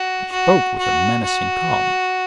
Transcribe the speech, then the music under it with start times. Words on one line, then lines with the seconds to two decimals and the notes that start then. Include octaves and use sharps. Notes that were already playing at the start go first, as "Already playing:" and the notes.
He spoke with a menacing calm.
Already playing: F#4
0.32 F#4
0.78 F#4
1.25 F#4